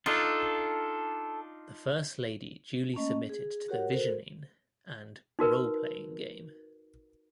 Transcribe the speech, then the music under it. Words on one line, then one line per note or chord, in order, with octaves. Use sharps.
The First Lady duly submitted to the "visioning" and "role-playing" game.
D4 D#4 F4 A4
A3 A#3 C#4 D#5
G#4
F#4 G4 A#4 C#5 F#5
F#4 A4 A#4 C5
D#4 F#4 A#4 B4